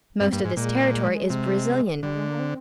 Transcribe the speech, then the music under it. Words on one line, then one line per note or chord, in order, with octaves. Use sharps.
Most of this territory is Brazilian.
G2 C4
G2 A#3
G#2 G#3
A#2 G#3
C3
D3 G3
G#3
A#3
C4